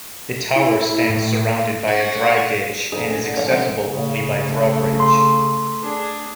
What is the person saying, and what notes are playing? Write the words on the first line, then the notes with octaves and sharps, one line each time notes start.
The tower stands surrounded by a dry-ditch and is accessible only by draw-bridge.
E4
A2
F#4
D2 D#4 G#4 A#4
C#4 G#5
D3
D4 C#5 F#5
C#3 G#3 C4 G4 B4 D#5 F#5
C#3
A3
C6
D4 G#4